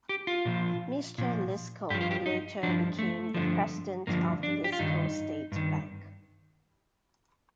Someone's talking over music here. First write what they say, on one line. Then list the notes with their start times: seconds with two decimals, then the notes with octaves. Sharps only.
Mr. Lisco later became the president of the Lisco State Bank.
0.09 G4
0.27 F4
0.45 A#2 F3
1.18 A#2 F3
1.90 G2 F3 G4
2.01 F4
2.11 G4
2.26 D#4
2.63 G2 F3 D4
2.99 A3
3.34 G2 D3 F3
4.07 G2 D3 F3 A#3
4.43 D4
4.64 G4
4.72 F4
4.79 G2 D#3 D#4
5.52 G2 D#3